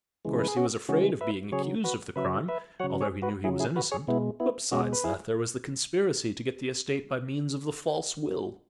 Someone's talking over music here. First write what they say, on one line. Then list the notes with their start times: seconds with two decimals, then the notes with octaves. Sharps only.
Of course, he was afraid of being accused of the crime, although he knew he was innocent, but, besides that, there was the conspiracy to get the estate by means of the false will.
0.25 C#3 E3 G#3
0.39 B4
0.48 G#4
0.57 C#4 F#4
0.89 C#3 E3 G#3 C#4 F#4
1.21 B4 E5
1.52 C#3 F#3 G#4 C#5
1.84 F#4 B4
2.16 C#3 F#3 B4 E5
2.48 B4 E5
2.80 F#3 C#5 F#5
2.84 C#3
3.01 G#4 C#5
3.22 F#4 B4
3.44 F#3 E4 G#4
3.49 C#3
3.60 E4 G#4
3.76 F#4 B4
3.91 G#4 C#5
4.07 B2 G#3 B3 E4
4.40 B3 E4
4.71 B2 G#3 C#4 F#4
4.93 B4
5.04 E4 G#4